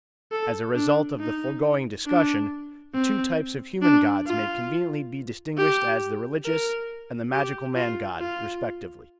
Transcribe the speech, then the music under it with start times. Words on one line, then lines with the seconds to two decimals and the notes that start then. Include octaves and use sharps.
As a result of the foregoing discussion, the two types of human gods may conveniently be distinguished as the religious and the magical man-god respectively.
0.32 A4
0.75 D4
1.19 D#4
2.06 D4
2.94 C4
3.82 D4
4.26 F4
5.57 G4
6.45 A#4
7.32 G4
7.76 F4
8.20 F4